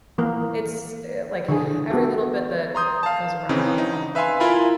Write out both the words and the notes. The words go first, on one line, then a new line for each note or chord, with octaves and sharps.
it's, eh, like, every little bit that goes around can help.
E3 A#3 A#4
D3 E3 G#4
B3 F#4 G4 A4
A#5 C6 D#6 G6
F5 A5
C#3 E3 C4 D#4
D#4
B4 E5 F5 G#5 C6
E4 F4 A#4 G#5 A#5 B5